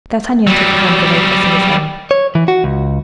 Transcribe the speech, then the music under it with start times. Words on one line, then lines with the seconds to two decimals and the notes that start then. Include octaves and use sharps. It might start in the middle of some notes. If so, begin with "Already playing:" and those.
D'Artagnan took the hands of Athos in his own.
0.47 F#3 G3
2.11 C#5
2.35 E3
2.48 F#4
2.64 C#2